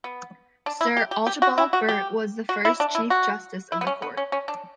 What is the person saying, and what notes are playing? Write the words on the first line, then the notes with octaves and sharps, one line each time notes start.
Sir Archibald Burt was the first Chief Justice of the court.
B3
D4
E4
G4
G4
G4
F#4
E4
F#4
G4
F#4
E4
D4
E4
F#4
E4
B3
C#4
B3
C#4
C#4
D4